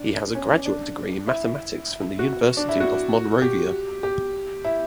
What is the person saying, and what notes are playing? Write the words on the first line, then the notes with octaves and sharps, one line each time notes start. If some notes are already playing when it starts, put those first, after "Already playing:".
He has a graduate degree in Mathematics from the University of Monrovia.
Already playing: D4
C#4
D4
E4
F#4
D4
E4
F#4
G4
G4
E4